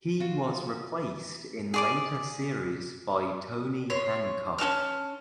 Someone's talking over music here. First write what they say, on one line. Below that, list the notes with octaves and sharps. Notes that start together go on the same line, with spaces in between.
He was replaced in later series by Tony Hancock.
F4 F#4
G#4 D5 D6
C#5 C6
C#4 F#4 A5 F6